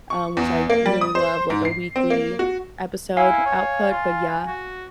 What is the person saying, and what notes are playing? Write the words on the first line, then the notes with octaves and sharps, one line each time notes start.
um, which I really love like a weekly episode output, but yeah,
C#6
E2
A#3
G3
D#6
C5
G#2
C7
C4
A#3
F#4
E4 F5 G#5
C#5
F4
F#4